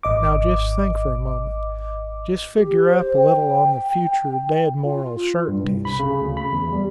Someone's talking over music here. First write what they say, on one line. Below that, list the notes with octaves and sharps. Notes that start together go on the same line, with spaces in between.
Now just think for a moment--just figure up a little on the future dead moral certainties.
G#1 D#5 D6
G4
C5
G5
F4
G2
C2
B5
C#3
D2
B5
E2
G3